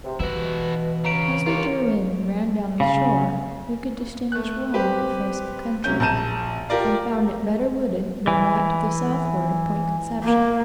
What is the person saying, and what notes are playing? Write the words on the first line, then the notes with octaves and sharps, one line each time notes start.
As we drew in, and ran down the shore, we could distinguish well the face of the country, and found it better wooded than that to the southward of Point Conception.
C3
B2 E3 E4 F#4
C#3 A#5 D7
D#2 A#3 F4 C#5
C#3
A3 F#6
C4 G4 B4
C2 F#3 C#4 G6
A#1 A5 A#5 G6 D#7 E7
F4 G4 A#4 D5 F5
E3
A#3